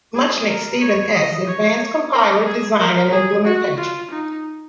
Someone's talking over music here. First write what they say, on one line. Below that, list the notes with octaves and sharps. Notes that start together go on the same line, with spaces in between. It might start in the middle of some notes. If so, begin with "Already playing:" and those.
Muchnick, Steven S. "Advanced Compiler Design and Implementation".
G#4
A#4
C#5
D#5
C#5
A#4
G#4
A#4
G#4
F#4
F4
D#4